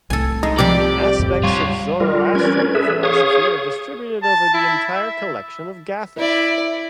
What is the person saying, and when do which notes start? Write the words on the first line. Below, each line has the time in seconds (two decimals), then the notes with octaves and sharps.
Aspects of Zoroastrian philosophy are distributed over the entire collection of Gathas.
0.10 C2 A2 A4 G#5
0.43 G#3 D#4
0.58 C3 F3 G3 G4 D5
1.19 E2 A2
1.44 G3 F4 C#5
2.00 G3 F4 A#4
2.35 C#4 A#4 B4 D5 G#6
2.75 G#4 A4 B4 E5
3.03 G#4 C#5 F5 C#6 D#6
4.23 A5
4.54 E4
4.94 E5
6.17 E4 D5